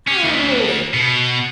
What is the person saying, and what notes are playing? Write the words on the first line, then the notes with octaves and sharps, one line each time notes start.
"I'll rule it!"
C#4
D2
B2